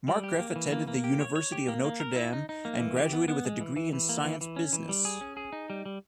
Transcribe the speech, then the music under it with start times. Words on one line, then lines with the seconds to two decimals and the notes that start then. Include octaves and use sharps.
Markgraf attended the University of Notre Dame and graduated with a degree in Science-Business.
0.08 G3
0.24 G4
0.40 A#3
0.56 E3
0.72 A#3
0.87 A#3
1.04 G4
1.21 C#5
1.36 C#5
1.52 G4
1.68 A#3
1.85 A#3
2.00 A#4
2.16 E4
2.33 D#4
2.49 D#4
2.65 A#3
2.80 E3
2.96 G4
3.13 B3
3.28 B3
3.45 G#3
3.61 E3
3.76 E3
3.93 E3
4.09 A#3
4.24 E3
4.41 E3
4.56 C#4
4.73 E3
4.89 G3
5.05 G#4
5.21 C#4
5.37 G#4
5.53 D#4
5.70 G3
5.86 G3